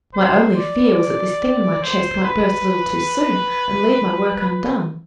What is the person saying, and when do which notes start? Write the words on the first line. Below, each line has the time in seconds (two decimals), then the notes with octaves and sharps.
My only fear was that this thing in my chest might burst a little too soon and leave my work undone.
0.14 C5
0.56 D5
1.83 C5
2.24 B4
4.36 B4